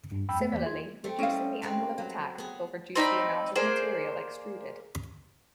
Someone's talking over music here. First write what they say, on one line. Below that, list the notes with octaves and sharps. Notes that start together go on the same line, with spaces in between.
Similarly, reducing the angle of attack will reduce the amount of material extruded.
G2
F2 G5 B5 E6
A3
E2 E3 A#3 C5 D5 B6
F4 G#4 C6 G#6
A3 C4
G3 C#4 E4 D#5 F5
G#3 C4 B4
F#3
B3 G#4
C4 D#4 D5 B5
A#3 G#4 C5 D5